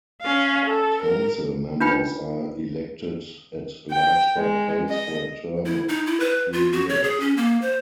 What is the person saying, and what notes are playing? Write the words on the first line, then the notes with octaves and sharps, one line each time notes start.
Council members are elected at-large-by-place for a term of three years.
C#4 F5
A4
A#4
D4 D#4 F4 B4 G5 B5
G5
G#3
D#5
E4
D#4
E4
B4
F4
F#4
C#5
G#4
C#4
A#3
C5